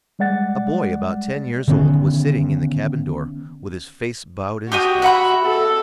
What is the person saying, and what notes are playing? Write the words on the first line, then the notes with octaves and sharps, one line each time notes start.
A boy about ten years old was sitting in the cabin door with his face bowed in his hands.
G3 G#3 D5 F#5 A6
D3 D#3 B3 C#4
F#4 G4 G5 D#6
E5 F#5 B5
A4